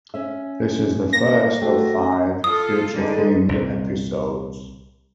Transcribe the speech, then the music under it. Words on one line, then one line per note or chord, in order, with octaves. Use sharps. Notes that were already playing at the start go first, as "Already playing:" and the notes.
This is the first of five future-themed episodes.
C#4 E5
A#3 A#6
A3 D4 F#4 G5
F4 A4 D#6
D3 G3 G#3 D#4 A4
C2 A#2